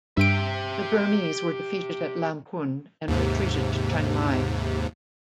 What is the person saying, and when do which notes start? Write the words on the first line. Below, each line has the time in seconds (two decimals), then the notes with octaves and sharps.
The Burmese were defeated at Lamphun and retreated to Chiang Mai.
0.17 G2 G4 E5 D7
3.08 D#2 G#2 C3